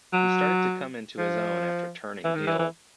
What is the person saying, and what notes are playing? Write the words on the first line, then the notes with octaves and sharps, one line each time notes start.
He started to come into his own after turning heel.
F#3
F3
E3
D#3
E3
E3